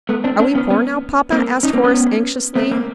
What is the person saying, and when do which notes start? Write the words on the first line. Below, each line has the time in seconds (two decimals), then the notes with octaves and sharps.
"Are we poor now, papa?" asked Horace anxiously.
0.09 A3 B3
0.24 C4 D4
0.39 C4 D4
0.55 B3 C#4
0.70 B3 C#4
1.32 A#3 C4
1.63 C#4 D#4
1.73 A#3 C4
1.84 B3 C#4
2.55 A3 B3
2.71 A#3 C4